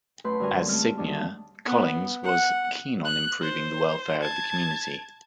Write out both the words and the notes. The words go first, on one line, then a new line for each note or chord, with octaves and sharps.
As seigneur, Collings was keen on improving the welfare of the community.
F#2 A3 B4 F#5 C6 G6
F#2 D3 G3 F#4 A#4 G#5
G#3 A3 C4 F6
D#2 D#3 G3 D4
B3
F#5
F#6
C5
A5 G#6